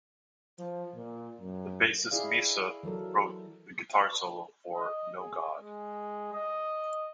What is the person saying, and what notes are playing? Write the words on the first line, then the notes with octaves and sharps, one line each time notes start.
The bassist Misa wrote the guitar solo for "No God".
F3
A#2
F#2
E4 G#4 D5 F5
E3 F#3 A4 A#4
D#5
G#4
G#3
D#5